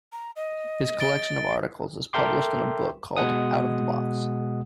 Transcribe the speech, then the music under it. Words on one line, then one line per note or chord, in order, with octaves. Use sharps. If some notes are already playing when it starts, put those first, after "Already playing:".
His collection of articles is published in a book called Out of the Box.
A#5
D#5
A6 D7 G7
A4 A#4 E5 G5 C6 D6
B2 G#3 F#5 D#6